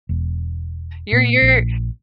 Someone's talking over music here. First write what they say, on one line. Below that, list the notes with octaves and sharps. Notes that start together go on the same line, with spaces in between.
you're you're
E1
A#2
A#1